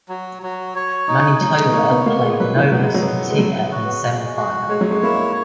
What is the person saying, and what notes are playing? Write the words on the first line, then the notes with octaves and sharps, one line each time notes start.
Manitoba played Nova Scotia in the semifinal.
F#3
F#3
C#5
D#4
F#3 D#4
G#3
B3
A#3 C#5
B3
A#3 B3
G#3
F#3 B4
E3
F#3 B3
G#3
F#3
B3
G#3
F#3 B3
F#4
G#3
F#4
G#3 C#5
F#3
G#3
A#3 E4